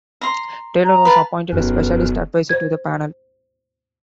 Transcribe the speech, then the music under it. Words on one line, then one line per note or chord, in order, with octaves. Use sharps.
Taylor was appointed a specialist adviser to the panel.
A#5 C6
A#5
B4 F5 A5
E1 B1 F#2 B3 C#4 A#4 B4
C5 G#6